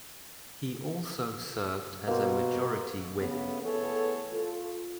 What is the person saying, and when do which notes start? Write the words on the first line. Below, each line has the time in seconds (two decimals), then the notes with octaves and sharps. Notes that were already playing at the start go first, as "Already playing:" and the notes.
He also served as a majority whip.
2.07 B2 A#3 C5
3.18 C#3 A3 B3
3.62 E3 A3 B3 G#4 A4 C#5
4.33 F4 A4